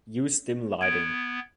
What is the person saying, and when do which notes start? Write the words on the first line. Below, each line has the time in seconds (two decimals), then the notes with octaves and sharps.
Use dim lighting.
0.81 B3 G#6 D7